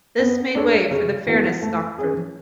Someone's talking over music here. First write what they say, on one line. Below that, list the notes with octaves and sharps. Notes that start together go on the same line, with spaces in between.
This made way for the Fairness Doctrine.
B3
D4 A4 C#5
C#3
E3 B3 F#4
A3
C#4 G#4